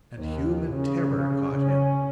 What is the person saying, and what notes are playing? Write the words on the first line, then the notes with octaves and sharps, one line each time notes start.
And human terror caught him.
D#2
C#3
C#3
C#4